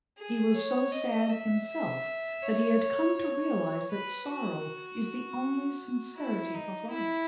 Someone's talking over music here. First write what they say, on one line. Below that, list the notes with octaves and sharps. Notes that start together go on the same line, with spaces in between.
He was so sad himself that he had come to realize that sorrow is the only sincerity of life.
G#4
C#5
D#5
E5
E5
C#5
C#5
B4
F#4
E4
D#4
E4